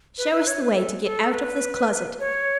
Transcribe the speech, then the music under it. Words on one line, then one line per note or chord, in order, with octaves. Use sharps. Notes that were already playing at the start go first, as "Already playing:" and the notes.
Show us the way to get out of this closet.
B4
B4
C#5
B4
A4
A4
B4
C#5